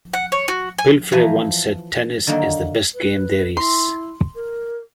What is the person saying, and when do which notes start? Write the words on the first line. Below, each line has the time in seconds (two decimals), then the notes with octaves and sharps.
Palfrey once said, Tennis is the best game there is.
0.13 F#5
0.32 C#5
0.48 F#4
0.78 G#5
1.12 E3 F3 B4 G#5 A#5
2.27 D3 D#3 F#3 A#3
2.94 B4
3.57 E4 C6
4.35 A#4